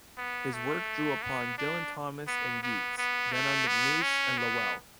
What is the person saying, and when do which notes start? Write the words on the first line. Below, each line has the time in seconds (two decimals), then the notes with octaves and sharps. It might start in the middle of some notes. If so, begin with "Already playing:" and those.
His work drew upon Dylan Thomas and Yeats; then on MacNeice and Lowell.
0.17 B3
0.53 A3
1.22 B3
1.58 D4
2.27 B3
2.63 B3
2.97 B3
3.32 A3
3.67 B3
4.02 C#4
4.38 B3